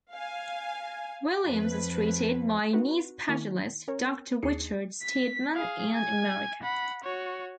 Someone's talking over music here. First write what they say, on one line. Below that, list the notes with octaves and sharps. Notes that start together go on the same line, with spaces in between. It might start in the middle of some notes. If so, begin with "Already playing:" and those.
Williams was treated by knee specialist Doctor Richard Steadman in America.
F5 G#5
F2 B4
C4 D#4 F#4 B4
D#3 A#3 E4
C#4 A#4 C#5
D#2 D4 D#4 G#4 C7 C#7
B6
G#4 F5
G#5 G#6
F#5 B5
F#4 C#5